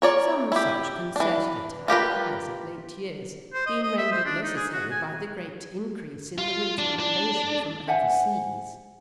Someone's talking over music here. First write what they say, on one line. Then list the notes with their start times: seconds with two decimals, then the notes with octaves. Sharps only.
Some such concerted attack has of late years been rendered necessary by the great increase in the winter invasion from overseas.
0.02 A#4 C#5 D5
0.52 E4 G4
1.16 E3 D4
1.88 F4 G4 A#4 B4
3.53 C5
3.66 D#5
3.83 D#5
3.98 E5
4.12 C5
4.25 D4
4.43 D#4
4.56 G#4
4.73 F#4
4.91 G#5
6.38 F4
6.78 D4
7.00 D4
7.87 C5 E5 F#5 G#5